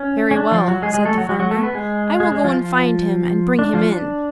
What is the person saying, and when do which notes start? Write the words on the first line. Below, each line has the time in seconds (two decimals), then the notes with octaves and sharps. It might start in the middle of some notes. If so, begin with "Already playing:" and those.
"Very well," said the farmer; "I will go and find him, and bring him in."
Already playing: C#4
0.31 C#4
0.37 D4
0.51 F3 F4
0.68 F#3 F#4
0.82 G#3 G#4
0.94 G#3 G#4
1.05 A3 A4
1.18 F#3 F#4
1.29 F#3 F#4
1.39 F#3 F#4
1.51 A3 A4
1.63 B3 B4
1.75 G#3 G#4
2.20 G#3 G#4
2.32 G#3 G#4
2.44 F3 F4
2.55 F3 F4
3.59 D4
3.74 F3 F4
3.89 D4